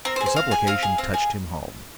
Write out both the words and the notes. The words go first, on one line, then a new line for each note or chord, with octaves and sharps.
The supplication touched him home.
C4 A#4
C5
G#4
C5
C4 F5
G#4 G#5
C4 F5
G#4
C4
G#4